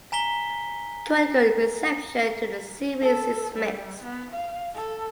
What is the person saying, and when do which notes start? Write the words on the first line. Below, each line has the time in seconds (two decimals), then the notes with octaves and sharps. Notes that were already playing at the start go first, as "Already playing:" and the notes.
Critical reception to the series is mixed.
0.12 G#5 A#5 B6 G7
3.01 A4
3.54 G3
4.03 B3
4.31 F5
4.74 A4